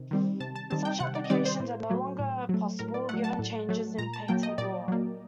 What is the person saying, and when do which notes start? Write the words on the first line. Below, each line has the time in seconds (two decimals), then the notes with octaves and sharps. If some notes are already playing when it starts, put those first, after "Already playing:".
Such applications are no longer possible, given changes in patent law.
Already playing: C3 D#3
0.11 D#3 G3 C4
0.40 C3 A5
0.55 A5
0.70 D#3 G3 C4 A5
0.85 G5
1.00 C3 F#5
1.15 D5
1.24 D#5
1.30 D#3 G3 C4 D5
1.45 C5
1.60 A2
1.90 F#3 A3
2.19 A2
2.49 F#3 A3
2.79 A2 A#4
2.94 D5
3.09 F#3 A3 F#5
3.24 A5
3.39 A2
3.69 F#3 A3
3.98 A#2 A#5
4.13 A5
4.28 F#3 A#3 G5
4.43 D#5
4.58 A#2 D5
4.88 F#3 A#3